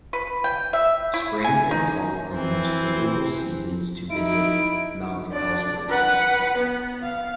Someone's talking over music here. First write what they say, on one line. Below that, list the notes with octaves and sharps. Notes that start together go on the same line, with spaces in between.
Spring and fall are the most favorable seasons to visit Mount Ellsworth.
B4
G5
E5
E4
G#5
D#4
E3 C4 C5
D#4 E4 D7
D4 D5
B4 F#5
B3
F5